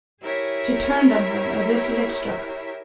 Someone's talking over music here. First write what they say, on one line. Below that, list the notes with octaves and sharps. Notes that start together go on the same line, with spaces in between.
She turned on him as if he had struck her.
E4 G4 G#4 A#4 C#5 E5